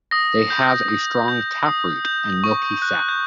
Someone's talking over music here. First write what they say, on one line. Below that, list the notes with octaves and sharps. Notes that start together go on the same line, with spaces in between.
They have a strong taproot and milky sap.
D#6 A#6
G6
D#6
G6
D#6
G6
C#6
F#6
G6